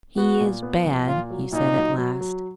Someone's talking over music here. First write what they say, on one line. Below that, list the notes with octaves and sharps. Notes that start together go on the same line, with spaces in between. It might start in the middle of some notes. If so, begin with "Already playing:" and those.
"He is bad," he said at last.
B3 F#4
A#2
B3
A#1
A#2 F4
F#3
A#2 D#4
F#3
F#3
F#3